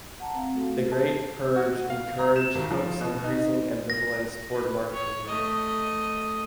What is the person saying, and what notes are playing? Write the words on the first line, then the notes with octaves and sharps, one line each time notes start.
The Great Purge encouraged Hook's increasing ambivalence toward Marxism.
F#5 A5 A#5
C4 F5
A3 F#4 A4
A5
F#4
F5
A#5
E7
G#1
F3
B2
D#4
A#6
B4
C#5
A3 D#5